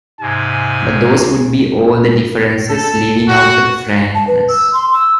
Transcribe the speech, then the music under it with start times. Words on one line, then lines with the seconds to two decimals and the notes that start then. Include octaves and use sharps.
But those would be all the differences, leaving out the frankness.
0.21 G#2 C3 G#5
2.69 A4
3.28 F#4
4.15 A5
4.27 B4
4.48 E6
4.73 C6
4.93 E6